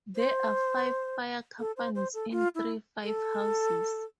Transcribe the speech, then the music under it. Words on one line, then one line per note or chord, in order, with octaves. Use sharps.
There are five fire companies in three fire houses.
C5
A4
C5
C5
A4
F4
E4
A4